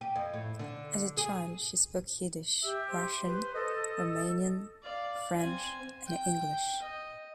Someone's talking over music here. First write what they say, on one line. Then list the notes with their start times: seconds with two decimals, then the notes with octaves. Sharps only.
As a child, she spoke Yiddish, Russian, Romanian, French and English.
0.01 G4
0.15 F2
0.34 A2
0.59 D3
1.17 G#4
2.63 G4 E5
2.89 C5
3.26 B4
3.55 A4 D#5
4.83 D5 F5
5.38 C4 G#5
6.06 G5
6.82 D#5